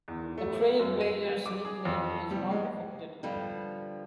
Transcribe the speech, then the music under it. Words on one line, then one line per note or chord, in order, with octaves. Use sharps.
The Trailblazers nickname is not affected.
E2
A3
F#2
D#7
D6
G#4
F2
G3
G#3
D3 F3 G3 B3